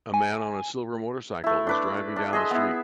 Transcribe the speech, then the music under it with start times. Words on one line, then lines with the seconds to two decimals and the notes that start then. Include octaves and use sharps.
A man on a silver motorcycle is driving down the street.
0.14 G#5
1.44 A3 E4
1.67 D4 B4 D6
2.16 D4
2.33 G#4 D#5 E5 C6
2.51 B3 E4